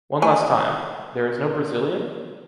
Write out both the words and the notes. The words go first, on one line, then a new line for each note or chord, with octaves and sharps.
One last time... There is no Brazilian?...
A3 G#5